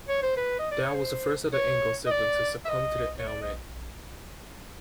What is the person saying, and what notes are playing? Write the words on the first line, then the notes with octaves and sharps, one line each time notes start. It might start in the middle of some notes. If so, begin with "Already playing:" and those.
Dow was the first of the Ingalls siblings to succumb to the ailment.
C#5
C5
B4
D#5
D5
C#5
C5
C#5
D#5
D5
E5
D#5
C#5
D5
D#5